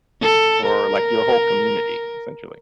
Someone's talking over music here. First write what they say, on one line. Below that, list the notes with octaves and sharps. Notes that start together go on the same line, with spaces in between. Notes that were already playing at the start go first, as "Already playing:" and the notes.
for, like, your whole community, essentially.
A4
A#4